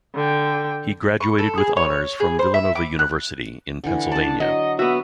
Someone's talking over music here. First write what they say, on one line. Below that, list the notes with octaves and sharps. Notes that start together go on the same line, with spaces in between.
He graduated with honors from Villanova University in Pennsylvania.
D3 G5
C#6
A4
G#4
C#5
G#4
C5
E5
D6
F#6
D3 E3
D4 D5 A5
F#3 D#5
B3 F#4 E5